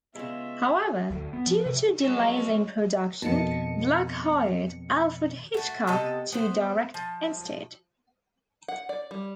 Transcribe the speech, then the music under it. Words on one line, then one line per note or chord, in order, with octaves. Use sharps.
However, due to delays in production, Black hired Alfred Hitchcock to direct instead.
C#3 G#3 B3 F4 E5
D2
B3
F3
C3
F2 F#3 G#3 C#4 A4
F2 B2 D#3 D#5 A5 C#7
A3 F#4
C3 B3 A4 D#5
B3 C5
F3
F#5
D5
G3